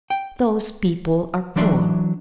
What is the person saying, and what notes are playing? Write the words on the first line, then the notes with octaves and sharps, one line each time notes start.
Those people are poor.
G5
E3 F#3 D4 D5 E5 C6